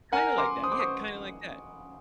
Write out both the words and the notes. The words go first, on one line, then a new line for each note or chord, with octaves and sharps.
kinda like that yeah, kind of like that,
A#4 F#5 G#5
C6 D6
C5 D#6
D6
C#6 D#6